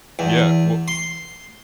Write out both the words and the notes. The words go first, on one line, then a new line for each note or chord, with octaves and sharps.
Yeah, well
E2
C6